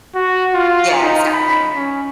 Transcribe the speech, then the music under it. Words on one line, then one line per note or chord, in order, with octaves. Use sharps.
Yeah, exactly.
F#4
F4
D#4
B5
C#4